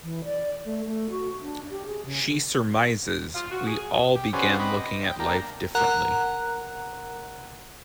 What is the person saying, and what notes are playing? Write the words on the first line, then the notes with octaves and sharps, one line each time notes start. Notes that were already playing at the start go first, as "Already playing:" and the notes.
She surmises, We all began looking at life differently.
E3
D5
A3
A3
F#4
D4
G4
G#4
C#3
F4
F#4
G#4
G4
C#4 F#4 G#4 B4 C5 D5
C4 B4 D#5 B5 D6
D#5
G5
A#3 D4 G5 A#5
A#4 F#5 A#5 F#6